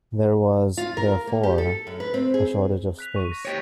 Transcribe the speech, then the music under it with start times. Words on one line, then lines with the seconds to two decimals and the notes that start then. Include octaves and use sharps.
There was, therefore, a shortage of space.
0.77 F4
0.97 A#4
1.27 A#3
1.43 G4
1.58 A4
1.87 F#2
2.00 B4
2.14 C4
2.34 G#4
2.99 F#6 B6 F7
3.16 C#6 D#7
3.32 A#6
3.45 G4 C#5